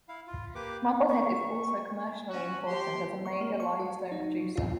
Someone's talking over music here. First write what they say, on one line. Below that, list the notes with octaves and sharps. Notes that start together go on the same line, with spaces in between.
Marblehead is also commercially important as a major limestone producer.
E4 F5
F4
A#3 G4 B4 D6
C#6
C#4 F#4
G4 C6
C#6
A#3
C#6
F#4
D#4
F#3
F4